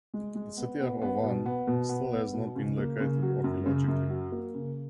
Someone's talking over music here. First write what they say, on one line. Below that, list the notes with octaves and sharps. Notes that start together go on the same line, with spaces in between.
The city of Awan still has not been located archaeologically.
G#3
G#3
B3
B3
B3
B2
B3
B2
B3
B3
B2
C#3
A#3
C#3
F#3
F#2
C#3
F#2
F#3
A#3
C#3